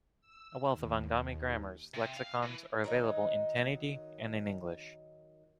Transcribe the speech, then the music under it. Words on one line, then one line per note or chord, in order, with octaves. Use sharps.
A wealth of Angami grammars, lexicons are available in Tenyidie and in English.
E6
D#2
C3
F5
E3
D#3 F#3 D#4